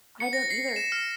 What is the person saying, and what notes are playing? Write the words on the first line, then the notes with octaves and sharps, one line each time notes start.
I don't either.
C#7
A#6
C7
E7
F6